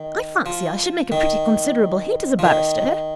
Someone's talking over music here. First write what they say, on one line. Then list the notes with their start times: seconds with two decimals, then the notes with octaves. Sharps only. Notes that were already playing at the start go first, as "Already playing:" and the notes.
'I fancy I should make a pretty considerable hit as a barrister.'
Already playing: D#3
0.46 F3
1.12 D#3
2.39 F3
2.45 D#3